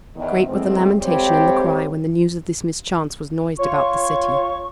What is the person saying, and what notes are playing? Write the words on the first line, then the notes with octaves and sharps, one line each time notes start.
Great were the lamentation and the cry when the news of this mischance was noised about the city.
E2 D#3
E2 A2 G#3 C4
F2 G#2 G3 C4 G4 C#5
F4 C#5 C#6